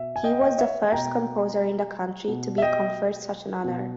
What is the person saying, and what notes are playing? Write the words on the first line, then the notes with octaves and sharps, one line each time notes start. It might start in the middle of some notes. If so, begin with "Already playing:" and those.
He was the first composer in the country to be conferred such an honour.
Already playing: B2 E5
G#5
D#5 G5
D#5 G5
C#5 E5
B2 G5 A#5
B2
E5
D#5 G5
B2